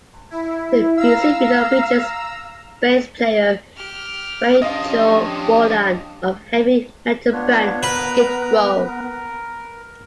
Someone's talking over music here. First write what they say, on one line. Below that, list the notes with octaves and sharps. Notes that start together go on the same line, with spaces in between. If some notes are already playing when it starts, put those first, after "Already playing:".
The music video features bass player Rachel Bolan of Heavy Metal band Skid Row.
E4
F5 A#5 E6
G4 F6
D#2 F3 C#4 D4 G4 D#5 F5
B3 D4 F4 C#5
A#4 B4 A#5
A#4